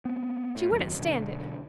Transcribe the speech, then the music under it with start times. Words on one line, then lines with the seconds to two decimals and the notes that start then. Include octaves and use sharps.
She wouldn't stand it.
0.05 B3 C4
0.56 A2
0.71 F#1 D#2 F#3
0.98 B1 D3